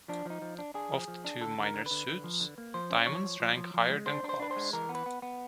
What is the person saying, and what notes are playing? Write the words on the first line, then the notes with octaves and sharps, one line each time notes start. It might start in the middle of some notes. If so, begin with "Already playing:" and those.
Of the two minor suits, diamonds rank higher than clubs.
F3 D4
F3 D#4
F3
D4
D4 G#4
F3
F3
D4
D3 A4
D3
A#4
D3
D3 B4
D3
F3
D3
A#3
F3 C5
C#4
F3 C#5
F3
F3
F3
F3
G#3
D4 C5
D4
C5
D4 B4
C5
G#3
E3 A#4
B3
B4
B3
B3